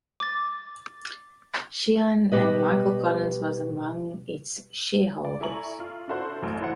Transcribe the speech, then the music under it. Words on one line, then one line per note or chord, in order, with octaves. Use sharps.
Sheehan and Michael Collins was among its shareholders.
D6 A6
B2 G3 G4 B4 D#5
D5
E4 A4 G#5 A#5 C#6 F#7
F4
D4 E4 F#4 A4 C5
A1 F#2
E3 C5 F#5